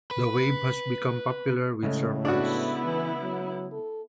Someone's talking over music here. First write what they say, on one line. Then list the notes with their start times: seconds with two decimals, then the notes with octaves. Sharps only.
The wave has become popular with surfers.
0.11 B4
1.83 A2 C#3 G#3 A3
2.25 B3 D4 E4 F#4
2.84 E3
3.22 F#3
3.72 A4